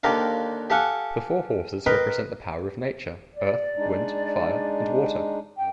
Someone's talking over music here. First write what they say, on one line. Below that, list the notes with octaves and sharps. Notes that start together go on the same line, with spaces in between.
The four horses represent the power of nature: earth, wind, fire and water.
D#2 D3 G4 A#4 D5 F5
G4 A4 F5 F#5 G#5
A#4 B4 D#5 G5 A#5 C6
D5
G#3 D4 D#4
F#2 G5